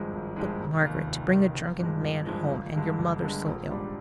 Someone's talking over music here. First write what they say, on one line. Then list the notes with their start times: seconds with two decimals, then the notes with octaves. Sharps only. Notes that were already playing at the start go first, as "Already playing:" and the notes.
'But, Margaret, to bring a drunken man home--and your mother so ill!'
Already playing: G#1 G2 F3 G#3
0.12 G#1
0.36 G2 F3 G#3
0.60 F1
0.83 D#2 D#3
1.07 F1
1.31 D#2 D#3
1.55 G1
1.79 G2 F3 G#3
2.03 G1
2.26 G2 F3 G#3
2.51 G1
2.74 G2 D3 G#3
2.98 G1
3.22 G2 D3 G#3
3.46 A#1
3.70 G#2 G3 D4